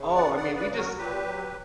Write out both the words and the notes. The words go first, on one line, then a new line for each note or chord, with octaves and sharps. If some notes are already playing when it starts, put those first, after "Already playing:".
oh, I mean, we just
Already playing: C#3
B3 D5 F#5
D5 F#5
C#3
B4 D5
F#3 B4
F#4 A#4
A#2 G4 B4
F#3